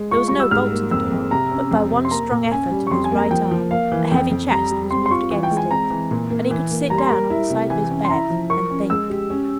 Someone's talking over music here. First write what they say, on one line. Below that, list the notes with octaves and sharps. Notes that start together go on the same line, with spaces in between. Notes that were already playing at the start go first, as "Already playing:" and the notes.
There was no bolt to the door; but by one strong effort of his right arm, a heavy chest was moved against it, and he could sit down on the side of his bed, and think.
Already playing: G#3
F4 C#6
G3 C#6
E6
G#2 F6
A#3
F2 E6
F2
C3 A#5
C#4
F2
C3
C6
A#3 A#5
A#2
C#4 G#5
G3
C#6
F2 C6
G#5
A#3
A#5
F3 G5
F3
A#3 F5
E3
F2 G5
F2
G3 A#5
G3
C4 C6
C6
F4 C#6
E3
G5
G#3
G#5
C4 A#5
E3
A#2
A#3
E3
A#3
G3 A#5
C6
A#4 A#5
E4
C3
E3 G#5
C#4
C6
E4 A#5
F3
A#4 C#6
C#4
G#3 E6
G4
C#4